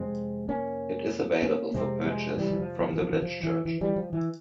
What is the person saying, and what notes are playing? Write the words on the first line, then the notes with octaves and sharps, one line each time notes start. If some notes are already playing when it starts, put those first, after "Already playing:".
It is available for purchase from the village church.
Already playing: F2 C3 G#3 C4
A#3 C#4
A#3 C#4
F2 C3 G#3 C4
F3 G#3
E3 G3
E3
F3
F3
E3
F3
E3
F3
E3
E3
E3 G3
F3
E3